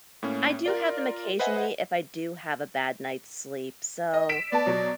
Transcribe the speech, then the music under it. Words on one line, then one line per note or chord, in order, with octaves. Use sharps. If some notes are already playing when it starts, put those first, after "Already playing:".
I do have them occasionally if I do have a bad night's sleep, so
A2 A#3 C#4
F4 A#4 D5
B4 C5 D#5 E5 F#5 G#5
D#5
B6 D7 E7
B3 D5 A5
B2 F#3